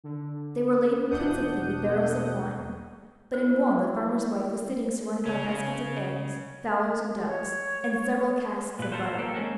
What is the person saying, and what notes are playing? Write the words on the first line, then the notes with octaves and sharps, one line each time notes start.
They were laden principally with barrels of wine; but in one the farmer's wife was sitting, surrounded by baskets of eggs, fowls, and ducks, and several casks of butter.
D3
E2 B2 D4 F#5 D#6 G6
E4 C5
C#3 C#4
C#5
A#2 B4
F4 A4 A#4 C5
A#3 G4 A4
G#3 C4 C#4 A#4